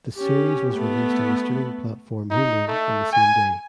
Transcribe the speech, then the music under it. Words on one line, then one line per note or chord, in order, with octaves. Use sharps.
The series was released on the streaming platform Hulu on the same day.
C#4 G4
A3 B3
D#4
A3
G#5